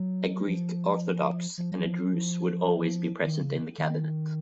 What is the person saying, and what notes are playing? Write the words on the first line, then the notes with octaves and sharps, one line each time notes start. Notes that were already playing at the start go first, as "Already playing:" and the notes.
A Greek Orthodox and a Druze would always be present in the cabinet.
Already playing: F#3
F3
F3
F#3
F3
F#3
F3
D#3
C#3
D#3